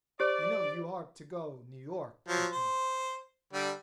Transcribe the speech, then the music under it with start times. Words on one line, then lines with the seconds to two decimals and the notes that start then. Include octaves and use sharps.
"You know you are to go New York with me?"
0.20 G4 C5 D5
2.28 F3 F#3
2.52 C5
3.53 D3 G3